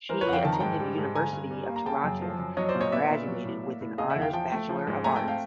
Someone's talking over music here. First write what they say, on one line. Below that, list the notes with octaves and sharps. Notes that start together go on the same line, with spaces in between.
She attended University of Toronto and graduated with an Honours Bachelor of Arts.
E3 A#4 C5
B4 C#5
F2 F#5
F5 G5
D#3 A5
A#5
G#2 G5 A5
G3
G#2
D3 G#5 A#5
G2
G3
A#3
A#5
C#3 G5 A5
F#2
F3
F#2
F#3 C#5 D#5
C5 D5
A#2
C#5 D#5
B3 D5 E5
A#2
F#3
A2
A#3
A2
C#3 D#5 F5
E5 F#5
E2
F5 G5
F3 G5 A5
A3
F3
G#2
A3 G#5 A#5
G5 A5
C4
F5 G5